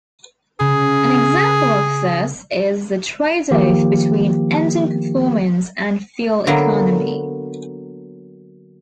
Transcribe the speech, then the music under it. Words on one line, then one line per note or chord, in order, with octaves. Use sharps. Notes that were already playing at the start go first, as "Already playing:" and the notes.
An example of this is the trade-off between engine performance and fuel economy.
C#3 G#4
D#3 F3 A#3 G4
D3 F#3 A#3 B3